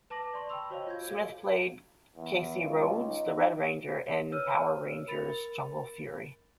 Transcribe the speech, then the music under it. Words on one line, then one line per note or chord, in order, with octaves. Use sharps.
Smith played Casey Rhodes, the Red Ranger, in "Power Rangers Jungle Fury".
B4 A5 D6 A#6 F#7
D5 C6 C#6
G5 A5 B5 C#6 E6 F7
F#4 C5 C#5 D#5 F5
F4 G6 G#6
F#4 G#4 A4 F5
E2
C#2
D#4
B4 C#5 E6 F6 D#7
A#4 B5 A6 C#7 F7